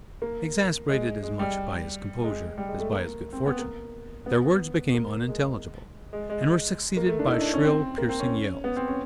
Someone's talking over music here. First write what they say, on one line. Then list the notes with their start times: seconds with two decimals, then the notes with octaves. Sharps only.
Exasperated as much by his composure as by his good-fortune, their words became unintelligible, and were succeeded by shrill, piercing yells.
0.22 A#3
0.89 G#3
1.23 G#3
1.39 G3
2.24 G#3
2.58 G3
2.69 G#3
2.80 A3
2.92 A#3
3.33 C4
3.46 B3
3.59 A#3
4.26 B3
4.94 A#3
5.28 G#3
6.13 G#3
6.30 G#3
6.97 A#3
7.08 A3
7.19 D4
7.26 E4
7.30 D#4
7.41 D4
7.53 C#4
7.64 C4
7.98 A#3
8.09 C4
8.20 C#4
8.64 B3
8.76 C4
8.88 C#4